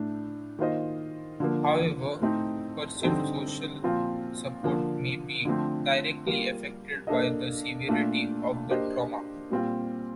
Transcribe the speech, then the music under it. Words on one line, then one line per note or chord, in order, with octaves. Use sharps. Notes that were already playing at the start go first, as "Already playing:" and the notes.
However, perceived social support may be directly affected by the severity of the trauma.
Already playing: A2 A3 D4
D#3 A#3 F4 C5 D#5
D3 F3 A#3
A2 A3 C4 D#4
D3 G3 C4 D#4 A4
A#2 F3 C4 F4
D3 F3 A#3
D3 F3 A3 C4
G3 A#3 F4
A#3 D4 A4 D#5
A#2 A3 D4 F4 A4
A#3 D4 G4 C5 D#5
A#2 G3 C4 F4